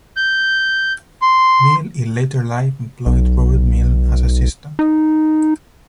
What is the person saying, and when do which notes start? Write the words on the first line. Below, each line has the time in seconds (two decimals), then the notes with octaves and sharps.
Mill in later life employed Robert Mylne as assistant.
0.17 G6
1.22 C6
3.06 B1
4.79 D#4